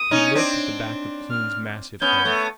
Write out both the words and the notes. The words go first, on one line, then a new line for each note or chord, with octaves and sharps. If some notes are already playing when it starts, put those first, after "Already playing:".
He looked at the back of Kloon's massive head.
Already playing: D#6
C#4 D#4
C4 D4
F6
B3 C#4 G6
A3 B3